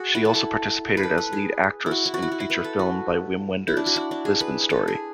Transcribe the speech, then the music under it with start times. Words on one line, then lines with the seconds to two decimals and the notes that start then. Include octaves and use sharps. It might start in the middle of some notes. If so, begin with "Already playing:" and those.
She also participated as lead actress in feature film by Wim Wenders, "Lisbon Story".
Already playing: F#4 G#4
0.15 E4
0.25 A4
0.35 A4
0.97 B4
1.03 A4
1.18 B4
1.33 G#4
1.86 E4
1.91 F#4
2.06 E4
2.14 F#4
2.22 E4
2.32 F#4
2.40 E4
2.50 B4
2.64 A4
2.79 F#4
3.68 E4
3.77 D4
3.86 F#4
3.96 E4
4.11 D4
4.25 G#4
4.40 B4
4.70 A4
4.88 G#4